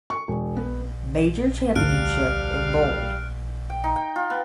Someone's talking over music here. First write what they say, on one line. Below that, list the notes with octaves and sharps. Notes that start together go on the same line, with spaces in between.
Major championship in bold.
C#6
E1
B3
D2 G3 F5 F6 F#6 D7
G5
D#4
G5
F4
B3